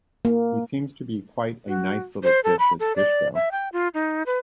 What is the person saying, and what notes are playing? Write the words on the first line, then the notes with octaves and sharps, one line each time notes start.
He seems to be quite a nice little fish, as fish go.
A#3
F#4
C5
A4
B5
A4
D5
E5
G5
F4
D#4
B4